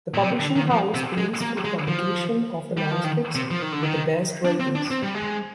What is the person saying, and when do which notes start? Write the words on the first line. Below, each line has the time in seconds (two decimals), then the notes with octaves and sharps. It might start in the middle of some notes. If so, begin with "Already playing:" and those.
The publishing house pays for the publication of the manuscripts with the best ratings.
0.14 A#2
0.24 C3
0.40 D3
0.56 D#3
0.71 F3
0.94 C3
1.18 G#3
1.41 A#3
1.65 G#3
1.88 F3
2.78 G3
2.91 F3
3.04 D#3
3.35 C3
3.51 F3
3.62 D#3
3.72 D3
3.83 D#3
4.45 D4
4.60 C4
4.76 D4
4.91 C4
5.03 G3
5.14 G#3